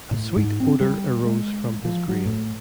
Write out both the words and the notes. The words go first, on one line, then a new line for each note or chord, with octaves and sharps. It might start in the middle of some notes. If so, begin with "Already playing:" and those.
A sweet odor arose from his grave.
A2
G#2
C4
G3
G#3
F3
F#3
A2